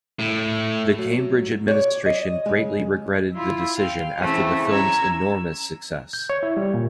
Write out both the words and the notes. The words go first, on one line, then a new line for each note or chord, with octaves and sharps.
The Cambridge administration greatly regretted the decision after the film's enormous success.
A2
F#3
C#5 D5
D#5
C#3 G#3
E4 F4 B5
F5 G5
C#3 E3 A3 C4
C#4 A#5 E6 G#6
G6
C#5
E4
G3
A#2